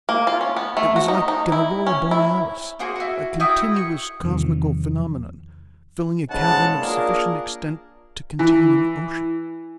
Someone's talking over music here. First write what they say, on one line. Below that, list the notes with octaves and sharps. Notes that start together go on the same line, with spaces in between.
It was like an aurora borealis, a continuous cosmical phenomenon, filling a cavern of sufficient extent to contain an ocean.
A#3
F4
C#4
B3
A3
F#4
D#4
D#4
E4
C#4
E4
A#3 C4 F#4 G#4
E4 F#4
E4 F#4 G5 D#6
C#6
E2 C3 D#3 F3 G3
B1 G#2 C#3 F#5 A5
A#3 D4 F4 G#4 A#4
E3